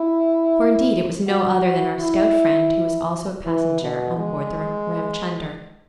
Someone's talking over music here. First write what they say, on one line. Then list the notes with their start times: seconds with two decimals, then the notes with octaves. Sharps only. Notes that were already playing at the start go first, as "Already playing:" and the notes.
For indeed it was no other than our stout friend who was also a passenger on board the Ramchunder.
Already playing: E4
1.28 F#4
2.00 E4
3.46 E3
3.81 B2
4.18 G#3